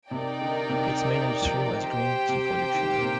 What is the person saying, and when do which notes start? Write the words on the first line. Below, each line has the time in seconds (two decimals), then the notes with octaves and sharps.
Its main industry was green tea production.
0.11 C3 D#4 A#4 D5 G5
0.41 D3
0.69 C3
1.42 F3
1.86 G4 C5 G5
2.29 C3
2.73 D#3
2.95 A#2
3.02 C3